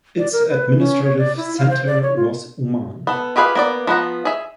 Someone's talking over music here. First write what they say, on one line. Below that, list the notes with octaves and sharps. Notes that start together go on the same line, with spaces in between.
Its administrative centre was Uman.
D5
A#4
B4
C#4
C#5
D5
E4
F5
C5
D5
C#5
F4
B3 A4
F4 G4 G#4 B4 F5
A#3 B3 D5
F3 B3 F#5 A#5
G#4 E5